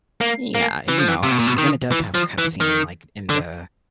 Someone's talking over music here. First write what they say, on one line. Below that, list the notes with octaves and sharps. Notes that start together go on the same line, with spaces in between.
Yeah, you know, when it does have a cut scene, like, in the
A#3
A#3
E3
F3
E3
C3
B2
A#2
B2
D#3
E3
F3
E3
D#3
D3